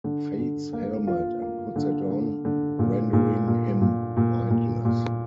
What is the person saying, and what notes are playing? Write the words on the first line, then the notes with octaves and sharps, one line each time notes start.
Fate's helmet and puts it on, rendering him mindless.
D3
D3
A#3
F4
A#3
D3
D3
D3
A#2
A#2
A#2
A#2
A#2
A#2
A#2